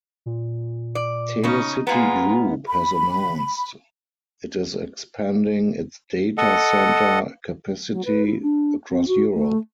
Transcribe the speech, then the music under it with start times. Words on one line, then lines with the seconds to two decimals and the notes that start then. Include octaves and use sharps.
TelecityGroup has announced it is expanding its data centre capacity across Europe.
0.26 A#2
0.95 D5
1.44 C#3 C#4 D#4
1.87 G#3 A#3 B3 F4 A#5
2.68 B5
6.38 A4 D#5 F#5
7.91 F#3
8.05 B4
8.26 E4
8.42 D4
8.91 C4
9.07 F#4
9.33 A3